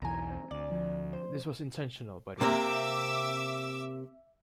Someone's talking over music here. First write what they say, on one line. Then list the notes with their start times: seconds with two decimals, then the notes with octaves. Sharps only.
This was intentional by the British.
0.02 B1 E2 E3 G#5 A#5
0.30 C4
0.51 D2 D5
0.71 F3
1.13 C5
2.41 C3 A#3 C4 E5 D6 E6